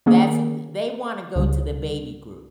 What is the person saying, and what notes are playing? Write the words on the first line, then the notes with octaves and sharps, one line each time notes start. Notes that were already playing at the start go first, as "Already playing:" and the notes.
that's who they wanna go to the baby group.
D#3 A#3 C#4 G#4
C#2 C#3 G3